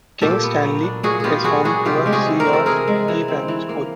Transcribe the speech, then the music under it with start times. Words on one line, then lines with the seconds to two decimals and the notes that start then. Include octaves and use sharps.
King's Stanley is home to a C of E Primary School.
0.21 A#2 G4 A4
0.43 B3
0.63 F#3
0.83 D4
1.03 A#2 F#4 G#4
1.20 B3 F4 G4 G#4
1.44 F#3 F#4 G#4
1.65 D4 F#4 G#4
1.85 C3 F4 G4
2.06 G#3 G4
2.12 F#4 G#4
2.26 E3
2.40 A#4
2.47 C4
2.53 A4
2.66 C3 G#4 A#4
2.88 G#3
3.08 E3
3.28 C4
3.48 E3
3.69 A#3